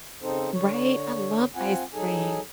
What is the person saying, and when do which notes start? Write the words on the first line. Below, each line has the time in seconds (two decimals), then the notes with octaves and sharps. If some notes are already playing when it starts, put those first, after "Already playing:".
Right, I love ice cream,
0.22 C#3 C4 D#4 A4 C5
0.53 D3 C#5
1.56 C4 F4 F#5 G#5
1.94 F#3 D#4 G#4 A4 G#5